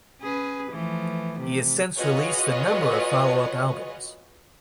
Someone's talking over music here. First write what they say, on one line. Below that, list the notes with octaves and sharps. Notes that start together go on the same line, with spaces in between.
He has since released a number of follow-up albums.
C#4 G#4 B4
E3 F3 A3
C3
F4 F#4 G#4 B4 C#5 D#5